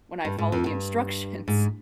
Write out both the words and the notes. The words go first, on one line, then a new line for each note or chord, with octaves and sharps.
when I followed the instructions."
G2
G#2
F2
G2
G#2